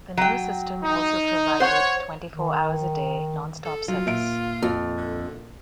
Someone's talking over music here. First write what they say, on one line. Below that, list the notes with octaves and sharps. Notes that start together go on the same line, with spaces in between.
The new system also provided twenty-four hours a day, nonstop service.
F#3 G5
D#4
C5 C#5 F#5
D#3
A4
F#3 F4
A#2 E5 D7
F2
D3